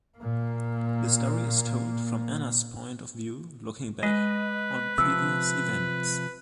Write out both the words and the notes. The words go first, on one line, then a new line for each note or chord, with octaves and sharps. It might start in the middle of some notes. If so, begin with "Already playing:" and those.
The story is told from Anna's point of view- looking back on previous events.
A#2 A#3
G#3 B4 D#5
C3 F3 E6